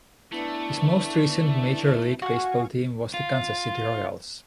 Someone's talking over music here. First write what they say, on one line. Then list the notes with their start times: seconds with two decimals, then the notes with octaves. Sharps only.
His most recent Major League Baseball team was the Kansas City Royals.
0.32 A3 B3 D4 E4
2.22 F#4 F5 F#5 G#5 C#6
3.14 F4